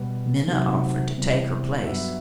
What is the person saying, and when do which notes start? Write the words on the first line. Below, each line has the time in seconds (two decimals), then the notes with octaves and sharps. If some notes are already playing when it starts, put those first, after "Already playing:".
Minna offered to take her place.
Already playing: B2 G3 B3
0.47 C3 D#3 F#3 A3 C4
1.17 C3 E3 G3 B3
1.86 G2 F#3 B3 E5